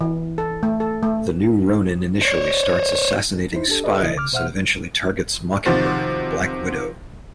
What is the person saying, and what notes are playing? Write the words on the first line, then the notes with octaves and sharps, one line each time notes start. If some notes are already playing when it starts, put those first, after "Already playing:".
The new Ronin initially starts assassinating spies and eventually targets Mockingbird and Black Widow.
E3
A4
A3
A4
A3
C5 C#5
D#4 E4 C5
D4 G4 A4
G4 A4 B4 D5 D#5
C2 E3 E4 D#5
C2 C#3 D6 F6
B2 C5 E5 F#5 F6
C3 D#3 F3 F#4 C5 A6